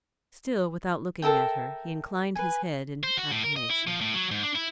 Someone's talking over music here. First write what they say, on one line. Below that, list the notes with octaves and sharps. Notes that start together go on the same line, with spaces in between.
Still without looking at her, he inclined his head in affirmation.
A4 A#4 E5 G5
B4 G#5
C5
F#4
A2
A#4
D#5
E4
F3
A2
F#3
G#2
D4
E4